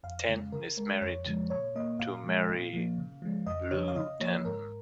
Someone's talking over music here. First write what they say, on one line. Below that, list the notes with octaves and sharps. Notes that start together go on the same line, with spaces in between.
Tanton is married to Mary Lou Tanton.
F2 F5
C#3 G#3
C#3 A#4
G#3 A#4
F2 C#5
C#3 F3 G#3
A#2 C#5
A#3 D#5
A#2 F5
F3 G#3
A#2
F3 A#3
C#3
F3 G#3
F2 D#5
C#3 F3 C#5
F5
C#3 D#5
F3 A#3 C#5
G#2 A#4